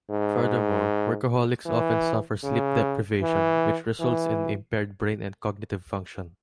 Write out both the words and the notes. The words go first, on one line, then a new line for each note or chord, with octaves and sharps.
Furthermore, workaholics often suffer sleep deprivation, which results in impaired brain and cognitive function.
G#2
E3
C#3
E3
E3